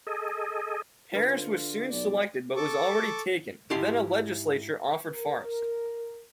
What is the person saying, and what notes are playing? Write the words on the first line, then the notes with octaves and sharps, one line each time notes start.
Paris was soon selected but was already taken, then a legislature offered Forest.
G#4 A4 D#5
D3 F4 B4 B5 D6
B1 D5
A4 C#6 D6
G#2 E4 G4 A5 C6
A#4